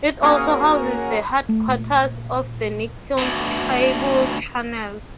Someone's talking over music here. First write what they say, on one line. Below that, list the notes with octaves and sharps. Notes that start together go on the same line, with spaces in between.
It also houses the headquarters of the Nicktoons cable channel.
A#3 C#4 F#4 G#4 A#4
A3
A#2
D2 B2